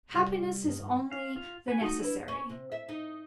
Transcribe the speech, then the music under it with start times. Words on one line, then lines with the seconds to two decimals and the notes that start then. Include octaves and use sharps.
Happiness is only the necessary.
0.10 C3 G3
0.62 G2 D#3
1.11 F5
1.36 F4
1.68 B4 G#5
1.81 A3 D#4 F#4 D#5
2.01 D4 E4 B4
2.28 C#4
2.49 C3
2.72 E5
2.89 D#4